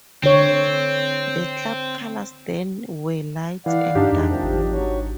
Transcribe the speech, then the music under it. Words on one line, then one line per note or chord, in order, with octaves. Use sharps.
The Club colours then were Light and Dark Blue!
D3 C4 C#5
E3 D5 F5 F#5
G2 D4 D#4 G4
F2 G#3
C3 D#3 F3
G#1
F#3 C#5